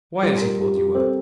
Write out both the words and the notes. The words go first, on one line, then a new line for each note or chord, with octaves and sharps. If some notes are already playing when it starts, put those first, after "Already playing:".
Why has he pulled you up?
G3 F4
A#4
G4
G4
C4 A4